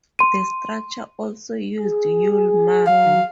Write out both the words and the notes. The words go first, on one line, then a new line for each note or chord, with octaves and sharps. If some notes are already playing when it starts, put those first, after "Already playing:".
The structure also used Yule marble.
C6 D#7
G#4
F#3 F5